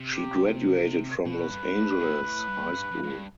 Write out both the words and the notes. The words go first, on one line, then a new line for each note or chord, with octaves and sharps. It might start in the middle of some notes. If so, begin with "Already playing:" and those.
She graduated from Los Angeles High School.
Already playing: C3
G4
B2 B4
G2
G2
A2
A2
G2
G2
F2
F2
G2